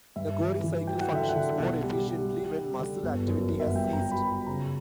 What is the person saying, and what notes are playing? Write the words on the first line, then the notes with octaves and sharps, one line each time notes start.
The Cori cycle functions more efficiently when muscle activity has ceased.
G2 E5
E3
E3
F#3 G5
F#5
D3 E5
F#5
D3
B1
G3
G3
G3
G3
D3
G1
F#2
G1
E5
F#5
G2 G5
A#5
F#3
B5
F#3
B5
C#3 A#5